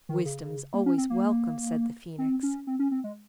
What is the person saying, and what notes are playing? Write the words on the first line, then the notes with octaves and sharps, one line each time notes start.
'Wisdom is always welcome,' said the Phoenix.
D#3
C#3
A#3
C#4
C4
A#3
C4
C#4
C4
C#4
C4
G#3